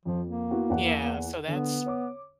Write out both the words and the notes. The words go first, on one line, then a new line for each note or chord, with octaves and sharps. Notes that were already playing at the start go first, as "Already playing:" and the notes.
Yeah, so, that's,
F2 F3
A#3
B3 E4 F#4
E2 F#5
D3 B3
C#5 D6